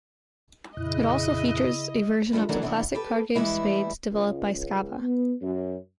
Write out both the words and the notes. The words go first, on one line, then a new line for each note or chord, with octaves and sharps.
It also features a version of the classic card game Spades, developed by Skava.
F2 A#2 C#3 E4 D#5 F#6
E2 G2 F3 A3 D4
D#3 E3 F#3 A3 D4
C3 E3 B3 D4
G4 A4 B4
E3 G3 G#3 E4 B4
C#2
C#2
B3
F#2